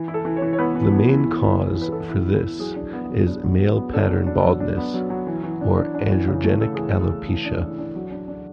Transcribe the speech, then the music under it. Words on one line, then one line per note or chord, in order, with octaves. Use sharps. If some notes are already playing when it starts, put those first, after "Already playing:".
The main cause for this is "male pattern baldness" or androgenic alopecia.
Already playing: E3
E4
A4
E3
C#5
E3
C#5
B3 B4
E3
B3
E3
E3
E3
E3
E3
B4
E3 A4
E4
E3
E3
F#3 G#4
D4
B3
F#3
D4
F#3
F#3
B3
D4 A4
F#3
D4
F#3
D4
B3
F#3
F#3
E3
E3
D4
D4
D4
E3
C#3
A3
C#3 A4
E3 G#4
E3
G#4
A3
E3
D4
E3
D4
F#3
D4
D4